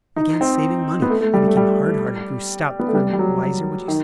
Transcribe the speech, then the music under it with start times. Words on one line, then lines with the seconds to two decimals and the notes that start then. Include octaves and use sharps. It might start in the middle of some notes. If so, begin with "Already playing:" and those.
I began saving money, I became hard-hearted, grew stout--grew wiser, would you say?
0.16 D#4
0.41 C4
1.02 B3
1.10 A3
1.21 A3
1.34 G3
1.47 A3
1.57 G3
2.79 B3
2.88 A3
2.95 G3
3.13 G3
3.19 F#3
3.88 D#3